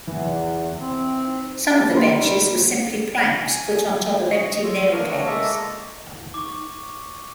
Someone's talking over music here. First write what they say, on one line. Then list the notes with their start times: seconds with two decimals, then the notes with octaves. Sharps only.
Some of the benches were simply planks put on top of empty nail kegs.
0.07 E2 E3
0.80 C4
1.74 G3
1.92 A#3 D#4 C6
3.43 G#5
4.32 D#5 C#6
4.64 F4 C#5 C#6 E6
4.77 C6 E6
4.93 A3 B3 D4 A#4 C#5 F5
5.26 G#3 A#3 A4 E5 A#5 C#6
6.34 C#6 D6